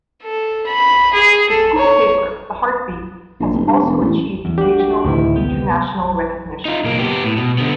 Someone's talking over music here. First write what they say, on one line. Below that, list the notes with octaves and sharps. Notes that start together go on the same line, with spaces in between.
The school paper, The Heart Beat, has also achieved regional and international recognition.
A4
B5
G#4
A4
C#5
A#1
F1
G2
E1
A1
E2
D4 F#4 G4
G4
D2 A2 C3 D#3 E4
B3 G4
D#4 F4
B1 A#3
B3 G4
A2
B2
D3 B3